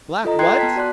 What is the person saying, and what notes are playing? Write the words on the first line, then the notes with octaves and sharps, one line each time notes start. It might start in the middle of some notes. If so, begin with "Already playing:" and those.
"Black what?"
F4 A4 D#5 A#5
G5 A#5 C6 F#6 G#6 C7
B3 A5 B6
F#4 D5 C6 F#6